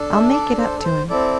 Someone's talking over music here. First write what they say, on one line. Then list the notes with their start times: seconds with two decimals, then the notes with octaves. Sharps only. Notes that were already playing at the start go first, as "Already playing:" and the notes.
I'll make it up to him.
Already playing: D4 A4
0.13 E5
0.33 D5
0.58 C5
0.78 A4
0.84 C5
1.10 C4 E4 A4 D5